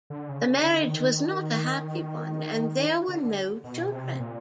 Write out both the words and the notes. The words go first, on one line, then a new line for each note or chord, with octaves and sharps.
The marriage was not a happy one, and there were no children.
D3
C#3
D3
D#3
D3
B2
C3
A#2